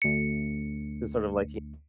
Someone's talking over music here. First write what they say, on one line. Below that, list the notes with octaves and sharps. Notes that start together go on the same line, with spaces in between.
to sort of, like, you
D2 C#7